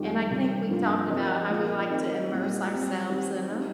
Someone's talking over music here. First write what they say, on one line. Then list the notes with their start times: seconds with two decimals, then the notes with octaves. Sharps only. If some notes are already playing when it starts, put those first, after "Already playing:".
and I think we talked about how we like to immerse ourselves in 'em,
Already playing: F2 D#3 G3
0.31 C3 D#3 G3
0.70 G2 F3 A#3 F4
1.10 F3 C4 D#4 A#4 D#5
1.50 A#2 F3 A#3 F4 D#5
1.90 D#3 C4 D#4 A#4 D#5
2.29 A#2 G3 C4
2.69 A#2 G3 C4
3.09 D#3 C4 G4
3.49 G3 D#4